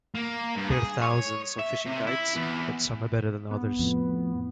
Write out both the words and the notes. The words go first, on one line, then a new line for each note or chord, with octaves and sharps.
There are thousands of fishing guides but some are better than others.
A#3
G2
G#4
C#5
E5
C3
E4
E2
B3
F2 A2